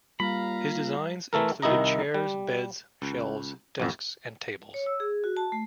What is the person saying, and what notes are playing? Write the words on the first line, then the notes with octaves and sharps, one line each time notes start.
His designs included chairs, beds, shelves, desks and tables.
G3 A#3 F4 F5 A#5 B5
E3 A3 A4 A#4
C2 D#3 E4 D#5 A#5
G3
C#2
A1 F2
C#5
E6
G#4
F#4
A5
A3